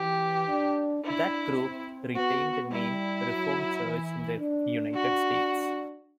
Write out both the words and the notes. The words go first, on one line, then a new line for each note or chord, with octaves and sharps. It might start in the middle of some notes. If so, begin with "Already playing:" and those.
That group retained the name Reformed Church in the United States.
Already playing: E3 G4
D4
D4 E4
C4
B3 F#4
G3 E4
F#3
E3
D4
F#4